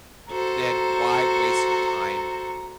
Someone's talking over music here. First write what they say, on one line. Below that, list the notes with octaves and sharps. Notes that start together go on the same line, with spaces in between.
then why waste your time
F#4 A4 C5 A#5